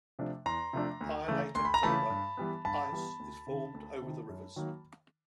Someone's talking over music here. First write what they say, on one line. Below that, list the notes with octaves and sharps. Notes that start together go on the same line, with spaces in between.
By late October ice is formed over the rivers.
C3 F3 A3 D4
E2 A#5 C6
C3 F3 A3 D4
D2
C#3 E3 A3
D2 C6
B5
A#5
C#3 E3 A3 A5 B5
G2
E3 G3 B3
G2 A5 B5
E3 G3 B3
D2
C3 D#3
D2
C3 D#3
F#2
D#3 F#3 A#3